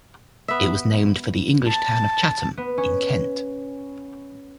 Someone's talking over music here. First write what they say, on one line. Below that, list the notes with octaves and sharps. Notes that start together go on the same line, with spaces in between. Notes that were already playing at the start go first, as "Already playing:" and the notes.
It was named for the English town of Chatham, in Kent.
B3 E5
A5
B3
C#4